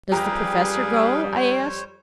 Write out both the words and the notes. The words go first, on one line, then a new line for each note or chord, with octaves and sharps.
"Does the professor go?" I asked.
F2 G3 G4 G#4 B4 F5 A#5
C5 C#5